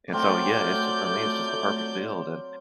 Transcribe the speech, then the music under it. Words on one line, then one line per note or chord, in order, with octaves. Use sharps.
and so, yeah, it's just for me, it's just the perfect build. And,
F#3 A3 C4 F4 D5 G6